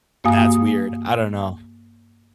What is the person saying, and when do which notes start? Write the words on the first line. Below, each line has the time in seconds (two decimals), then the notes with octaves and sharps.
that's weird. I don't know.
0.24 G2 A#3 F#4 F5 G#5 D#6